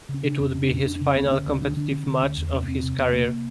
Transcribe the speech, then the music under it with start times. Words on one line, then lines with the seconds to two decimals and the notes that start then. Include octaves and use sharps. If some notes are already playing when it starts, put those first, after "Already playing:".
It would be his final competitive match of his career.
0.09 C#3
0.14 C#4
0.24 C#3 D4
0.39 F2 C#4
0.55 C#3 C#4
0.65 D4
0.71 F2 C#4
0.85 F2 D4
0.96 D4
1.01 C#3
1.06 C#4
1.15 D2 C4
1.26 C4
1.31 D3 C#4
1.46 D2
1.52 C#4
1.62 D3 D4
1.76 D3 D4
1.92 D3 C#4
2.07 D3 C4
2.22 D2 C#4
2.37 E2
2.53 C3 C#4
2.63 B3
2.68 E2 C4
2.83 C3
2.98 E2 B3
3.13 C3 A#3
3.28 C3